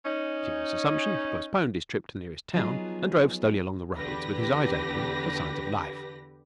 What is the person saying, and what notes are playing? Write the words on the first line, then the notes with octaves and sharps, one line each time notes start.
Acting on this assumption, he postponed his trip to the nearest town and drove slowly along the roads with his eyes open for signs of life.
C#4 D#4
F3 F#3 B3 D#4 F4 G#4
E2 D3 G4 B4 A#6